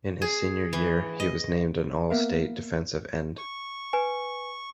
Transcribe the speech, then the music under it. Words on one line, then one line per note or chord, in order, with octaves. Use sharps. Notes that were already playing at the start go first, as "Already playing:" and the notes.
In his senior year, he was named an All-State defensive end.
G#4
E3
D#5
A#3 B3 A#4 E5 F5
C#6
B4 G#5